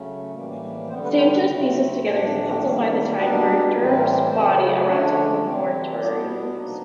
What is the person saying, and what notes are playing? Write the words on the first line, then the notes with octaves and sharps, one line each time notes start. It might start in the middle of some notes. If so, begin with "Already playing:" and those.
Santos pieces together the puzzle by the time Bergdorf's body arrives at the mortuary.
Already playing: C#3 F#3 A3 C#4
A2 E3 G3 A#3
D3 G3 B3 C4 C5
B3 B4
C4 C5
B3 B4
C#3 F#3 A3 C4
A2 F3 A3 D4
D#3 G3 A#3
B2 G3 B3 D4 B4
A#3 A#4
A#3 A#4
G#3 G#4
A2 E3 G3 C4 A#4
B4
A#3 A#4
C#3 F#3 A3 C4 C5
D3 F3 A3 C#4 D4 C#5
C3 E3 G3 C4
B2 G3 B3 D4 D5
C3 F3 A#3 D4 D#4 D#5